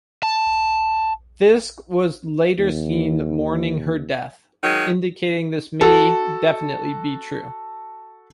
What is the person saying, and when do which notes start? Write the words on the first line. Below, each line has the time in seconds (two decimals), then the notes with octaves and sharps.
Fisk was later seen mourning her death, indicating this may definitely be true.
0.23 A5
2.58 D#2
4.62 D#3 F#3 G#3
5.81 F#4 A4